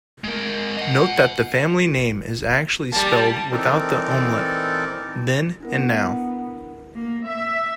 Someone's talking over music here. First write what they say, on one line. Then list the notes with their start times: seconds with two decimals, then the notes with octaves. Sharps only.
Note that the family name is actually spelled without the umlaut, then and now.
0.24 G#3 A#4
0.77 D#5 F#5
2.92 G3 A#3 A5
3.51 E3 C4 D#4 A4 A#4 D5
5.60 B3 D4 E4 A#4
6.95 A#3
7.26 E5